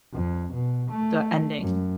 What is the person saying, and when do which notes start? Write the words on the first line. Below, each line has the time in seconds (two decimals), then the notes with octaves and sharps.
the ending.
0.14 F2
0.54 B2
0.91 A3
1.59 F#2